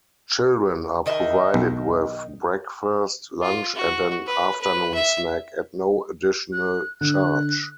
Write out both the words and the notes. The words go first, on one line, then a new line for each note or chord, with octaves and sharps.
Children are provided with breakfast, lunch and an afternoon snack at no additional charge.
D#3 D#5 E5
B1
F4
F#4
B4
B4
E5
F#6
D3 F#6